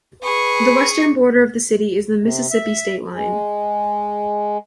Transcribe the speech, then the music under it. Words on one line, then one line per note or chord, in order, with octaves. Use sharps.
The western border of the city is the Mississippi state line.
G#4 B4 C#6
C3
E5
G#3